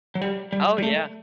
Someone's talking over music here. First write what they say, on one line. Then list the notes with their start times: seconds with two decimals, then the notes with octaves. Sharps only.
Oh, yeah.
0.15 F#3
0.21 G3
0.53 G3
0.78 G3
0.82 A3